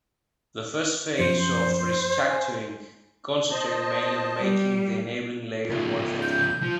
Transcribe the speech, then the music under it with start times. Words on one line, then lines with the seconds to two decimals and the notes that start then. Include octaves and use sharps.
The first phase of restructuring concentrated mainly on making the enabling layer more effective.
1.18 F#2 F3 C5 C#7
2.31 G#5
3.51 C5 D#5 A5
4.38 G3
5.70 C#2 F3
6.22 G6
6.62 F3